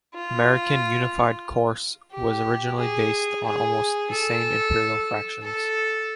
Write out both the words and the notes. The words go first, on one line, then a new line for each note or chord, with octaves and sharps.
American Unified Coarse was originally based on almost the same Imperial fractions.
F4
G4
G#4
G#4
A4
A4